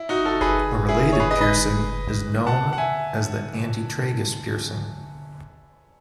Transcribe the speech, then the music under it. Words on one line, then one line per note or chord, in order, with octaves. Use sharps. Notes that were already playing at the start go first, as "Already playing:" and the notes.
A related piercing is known as the antitragus piercing.
Already playing: E4
D#4 F#4
F#4 A4
G#4 B4
E4 G#4
C#5
G#4 B4
B4 D#5
B4 D#5
F#5 A5
F#5
E5 G#5